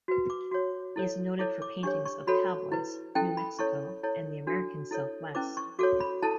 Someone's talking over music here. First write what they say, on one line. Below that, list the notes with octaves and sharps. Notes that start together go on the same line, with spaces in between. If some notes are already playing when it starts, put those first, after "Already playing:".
He is noted for paintings of cowboys, New Mexico, and the American Southwest.
F#4 B4
D6
F#4 C#5
E4 A4 C#5
E4 A4 C#5 D6
D6
D4 G4 C#5 C#6
C#6
F#4 A4 C#5 B5
E4 B4
C#4 E4 A4 G5
B5
E4 A4 C#5 C#6
E4 A4 C#5
D4 F#4 A4
E4 A4 C#5
C#4 E4 B4 D6
C#6
F#4 A4 C#5 D6
B5
E4 A4 A5